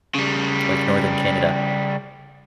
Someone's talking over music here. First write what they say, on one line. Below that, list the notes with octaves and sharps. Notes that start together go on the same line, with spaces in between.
like, Northern Canada,
C#3 G3